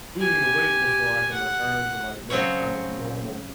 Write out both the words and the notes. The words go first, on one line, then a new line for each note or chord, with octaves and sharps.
losing the weight before I can return to, like, that kind of normal,
G4 G#5
F#5
C#3 F#3 C4 C#4 C#5